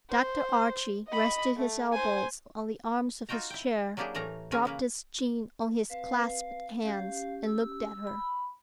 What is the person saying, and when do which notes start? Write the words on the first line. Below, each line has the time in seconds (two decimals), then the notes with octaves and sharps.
Dr. Archie rested his elbows on the arms of his chair, dropped his chin on his clasped hands and looked at her.
0.10 C5
1.08 D#5 B5
1.57 A3
1.92 C5 G#5
3.29 D#4 F4 F#4 G5 A#5
3.50 E4 G5
3.97 F#3 A#3 D4 E4 G4 G#4
4.15 A2 E3 A3 A#4 C#5 A#5
4.52 C#4 G#4 A#4 C#5 G#5
4.65 C#3 A#3 B4
5.90 C4 B4 F5
6.83 C#4 G4 F5
7.46 E6
8.07 B5